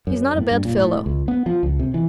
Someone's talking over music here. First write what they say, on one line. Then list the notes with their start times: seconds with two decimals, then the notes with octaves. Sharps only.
He's not a bad fellow.
0.07 F#2
0.37 A2
0.51 G2
0.65 A#2
0.77 A2
1.06 C#2
1.28 B3
1.46 F3
1.63 C#2
1.79 C3
1.94 E3